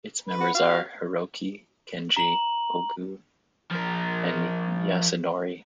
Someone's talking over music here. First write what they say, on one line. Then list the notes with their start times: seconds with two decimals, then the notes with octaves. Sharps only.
Its members are Hiroki, Kenji, Ogu and Yasunori.
0.28 B4 B5
0.40 F#5
0.55 F#4 F5
2.17 A#5 F#7
3.71 F3 A#4